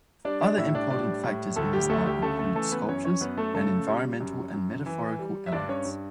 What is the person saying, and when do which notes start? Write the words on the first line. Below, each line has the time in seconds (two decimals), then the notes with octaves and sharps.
Other important factors in his art include sculptures, and environmental and metaphorical elements.
0.25 G3 D4 D5
0.41 D4 D5
0.58 A2 E4 E5
0.75 D4 D5
0.90 G3 D4 D5
1.23 A2
1.56 D2 A3 A4
1.73 G3 G4
1.89 D2 A3 A4
2.06 G3 G4
2.22 C#3 A3 A4
2.39 A3 A4
2.55 E3 A3 A4
2.72 B3 B4
2.89 F#2 C#4 C#5
3.05 C#4 C#5
3.21 F#2 B3 B4
3.37 A3 A4
3.54 C#3 A3 A4
3.88 G3
4.20 F#2
4.54 F#2
4.86 E3
5.19 G3
5.46 E5
5.52 G2 D4 D5
5.69 C#4 C#5
5.85 G2